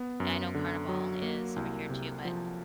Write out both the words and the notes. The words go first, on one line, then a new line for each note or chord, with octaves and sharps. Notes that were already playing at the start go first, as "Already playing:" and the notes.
yeah, I know Carnival is over here too, but,
Already playing: B3
F#2
D3
F#3
A#3
C2
C3
F3